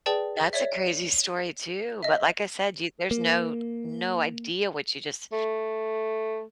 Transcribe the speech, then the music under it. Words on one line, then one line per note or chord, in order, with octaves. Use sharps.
That's a crazy story too, but like I said, you there's no no idea what you just
G#4 B4 D5 G5 A5
C#5 D5 E5
D#5 E5
A#3
A3